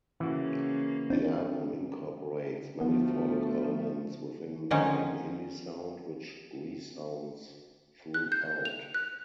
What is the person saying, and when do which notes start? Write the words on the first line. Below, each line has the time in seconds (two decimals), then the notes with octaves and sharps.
The album incorporates many folk elements within the main indie sound which resounds throughout.
0.20 C#3 E3 A#3 F#4
1.10 C4 D4
2.81 D2 F3 A3 B3
4.71 D3 D#3 F3 C#4 D#4
8.14 F#6
8.32 G6
8.65 F7
8.94 F#6